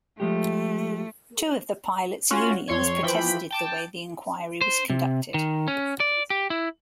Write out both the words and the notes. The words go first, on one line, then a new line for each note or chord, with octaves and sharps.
Two of the pilots' unions protested the way the inquiry was conducted.
F3 G#3 A3 G4
C#4 F4 F#4
F2 C#5 C6 C#6 G#6
E3 F3 G5 B5 B6
G5 A5 D6
C5
C3
D#3
C#4
D5
G4
E4